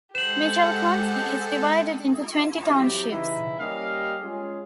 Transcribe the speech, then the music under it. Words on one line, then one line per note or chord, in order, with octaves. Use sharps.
Mitchell County is divided into twenty townships.
G#3 G4 A4 C5 F#5 E7 F#7
F#3 C4 E4 G4
C#3 E3 D#4 E4
G3 A#3 C#4 G4 D#5 F5
G#3 C#4 F4 G#4